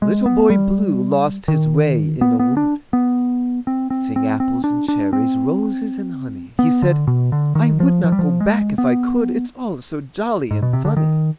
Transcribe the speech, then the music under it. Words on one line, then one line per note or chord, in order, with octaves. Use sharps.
Little Boy Blue lost his way in a wood. Sing apples and cherries, roses and honey; He said, "I would not go back if I could, It's all so jolly and funny."
G#3
B3
G3
D#3
B3
B3
D4
B3
C4
C4
C4
C4
D4
D4
C4
B3
D3
B2
D3
D#3
F3
F3
G3
F3
G#3
B3
G#2
B2
C3
D3
D#3